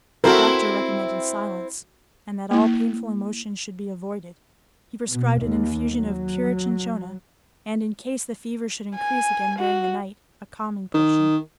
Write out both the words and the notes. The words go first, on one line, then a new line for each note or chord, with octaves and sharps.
The doctor recommended silence, and that all painful emotions should be avoided; he prescribed an infusion of pure chinchona, and, in case the fever should increase again during the night, a calming potion.
C4 E4 F#4 A4 A#4 C5
A#3 E4
B2
D#2
F#3
G#5
F#4
D#3